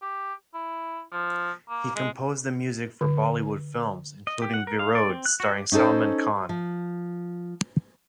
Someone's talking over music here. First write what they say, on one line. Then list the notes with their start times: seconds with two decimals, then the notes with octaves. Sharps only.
He composed the music for Bollywood films, including Virod, starring Salman Khan.
0.02 G4
0.54 E4
1.12 F3
1.69 A#3
1.95 G#3
3.01 D3
4.27 D#5
4.42 G4
4.54 F#5
4.67 A#4
4.79 F5
4.95 D5
5.09 C4
5.26 F#6
5.40 F#4
5.53 G4
5.72 C#4 D#4 G4 A4 C5
6.49 F3